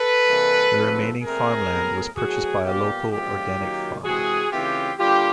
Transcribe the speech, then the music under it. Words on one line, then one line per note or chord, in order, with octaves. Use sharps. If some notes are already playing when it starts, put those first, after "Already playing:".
The remaining farmland was purchased by a local organic farmer.
Already playing: A4 B4
C3 E3 G3 A#3
G#2 F3 A3 C4
A#2 F3 A3 C4 G#4 A#4
A2 F#3 B3
A2 F#3 B3 F#4 G#4
A#2 G3 B3 F4 G4
F#2 D3 F3 G#3 B3 F4 G4
F#2 D#3 F#3 A#3
C3 E3 G#3 F#4 G#4
C#3 E3 A3 C4 F4 G4
D3 G3 A#3 F4 G4